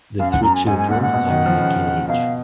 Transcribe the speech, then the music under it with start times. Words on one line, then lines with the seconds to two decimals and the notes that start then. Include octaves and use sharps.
The three children are in a cage.
0.19 F#2 F5
0.31 F#5
0.43 F#2 A#5
0.55 G#5
0.67 G#2 G#5
0.79 G#5
0.90 A#2 F#5
1.02 F#5
1.14 B2
1.30 D#3
1.46 F3
1.61 C#3
2.08 B2 F5